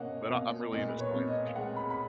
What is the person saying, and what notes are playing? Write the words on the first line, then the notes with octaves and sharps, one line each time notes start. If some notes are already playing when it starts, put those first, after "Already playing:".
But I I'm really into science.
Already playing: B2 A#3 C#4 C#5 D#5 F5 F#5
B2 F5
A#2 D#5
B4
C#5
B3
D#5
F5
G#3 F#5
B5
B5